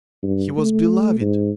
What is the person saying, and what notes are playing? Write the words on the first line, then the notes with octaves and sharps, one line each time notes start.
He was beloved.
G2
A3
G#2